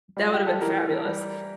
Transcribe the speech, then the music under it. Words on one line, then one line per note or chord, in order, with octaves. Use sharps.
That would have been fabulous.
G3 F4
G4
A4
E3 G4 A#4
G3